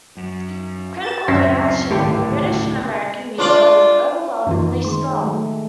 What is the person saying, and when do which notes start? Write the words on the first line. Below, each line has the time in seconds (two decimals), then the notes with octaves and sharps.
Critical reaction in the British and American media was overwhelmingly strong.
0.17 F#2
1.03 A6 E7
1.28 D1 B1 F#2 C#3 C4 C#4 E5
1.91 G#1 A2 D3 G4
3.38 D4 F4 D5
4.47 F#2 E3 D#4 F4
4.85 D#3 G#3 A#3 C6
5.22 A3